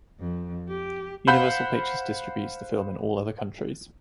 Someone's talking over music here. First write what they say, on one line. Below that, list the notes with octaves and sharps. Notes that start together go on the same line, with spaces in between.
Universal Pictures distributes the film in all other countries.
F2
G4
C5 F5 F#5 B5 G6